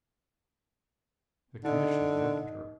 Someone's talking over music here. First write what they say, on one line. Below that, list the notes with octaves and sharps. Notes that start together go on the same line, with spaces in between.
The Commissioner looked at her.
D3 D#4 D#5